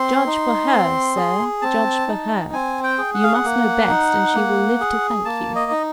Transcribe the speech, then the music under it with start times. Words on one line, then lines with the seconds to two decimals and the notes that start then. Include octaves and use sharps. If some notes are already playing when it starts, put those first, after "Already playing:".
Judge for her, sir, judge for her. You must know best, and she will live to thank you.'
Already playing: C4 C6
0.26 D#4
0.72 C4
1.16 G#4
1.62 C4 A5
2.07 D#4
2.53 C4 G#5
2.83 G5
2.98 G#4
3.14 F#5
3.23 F5
3.34 F#5
3.44 A#3
3.89 D#4
4.35 A#3
4.80 G#4
5.25 A#3 A5
5.55 D#5
5.71 D#4